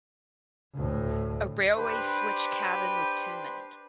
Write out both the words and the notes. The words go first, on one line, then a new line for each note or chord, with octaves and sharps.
A railway switch cabin with two men.
D2 A2
D4 G4 B4 C5 B5